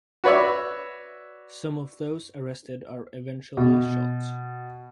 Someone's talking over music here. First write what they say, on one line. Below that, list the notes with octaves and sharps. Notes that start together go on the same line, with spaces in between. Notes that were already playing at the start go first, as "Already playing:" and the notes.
Some of those arrested are eventually shot.
F#4 B4 C#5 D5 E5
B2